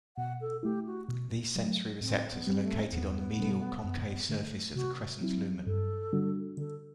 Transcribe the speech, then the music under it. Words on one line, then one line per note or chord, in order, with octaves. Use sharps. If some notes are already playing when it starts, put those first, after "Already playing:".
These sensory receptors are located on the medial concave surface of the crescent lumen.
B2 F#5
A4
A3 E4 G4
F#4
B2
F#3 A3
A2 C4
B3
G3 C4 G4
A3
E2 B3
B2 G3 D4 A4
F#2
D3 A3
C3 F#4
F#3 C4 E4
G2 A4
D3 G3 D4 F#4
D3 A4